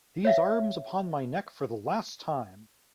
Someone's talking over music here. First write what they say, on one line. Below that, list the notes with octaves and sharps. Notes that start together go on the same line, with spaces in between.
These arms upon my neck for the last time!
C#5 E5 F5